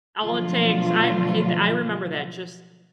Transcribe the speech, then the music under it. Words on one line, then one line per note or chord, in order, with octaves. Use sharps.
All it takes I hey th I remember that. Just
B2 D3 F3 F#3 A3 F4